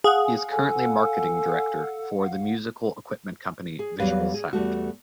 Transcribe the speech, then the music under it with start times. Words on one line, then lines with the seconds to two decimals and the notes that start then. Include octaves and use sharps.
He is currently Marketing Director for the musical equipment company, Visual Sound.
0.04 G#4 F5 F#5
0.50 A4 G#5
3.79 G#4
3.99 E2 F#3 G3 B4 F5
4.34 G#4
4.53 E2 G3 A3 F#4